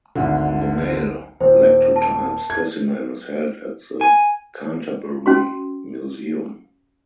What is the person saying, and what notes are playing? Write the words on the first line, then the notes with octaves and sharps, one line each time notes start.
The male lectotype specimen is held at the Canterbury Museum.
G#1 D2 D3
D#1 C5
A5
G#6
G#5
C#4 F#4 C6